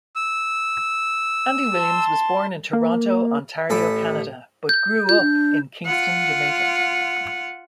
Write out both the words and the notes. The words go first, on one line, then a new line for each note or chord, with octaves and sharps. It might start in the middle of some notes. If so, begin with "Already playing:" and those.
Andy Williams was born in Toronto, Ontario, Canada, but grew up in Kingston, Jamaica.
E6
A5 C6
A#3
A1 A4 B5
G6
F4 G6
D4
F4 F#5